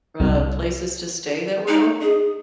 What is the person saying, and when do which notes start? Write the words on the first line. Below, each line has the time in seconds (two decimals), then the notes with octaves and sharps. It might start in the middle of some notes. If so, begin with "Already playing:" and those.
uh, places to stay that were open?
0.20 C2
1.68 D#4
2.02 G#4